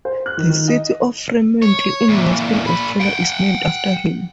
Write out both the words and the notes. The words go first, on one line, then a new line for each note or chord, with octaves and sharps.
The city of Fremantle in Western Australia is named after him.
C5
F#6
D#3
D#3
D#5
C#5
A#2 E3
A#2 B5
F#5 G5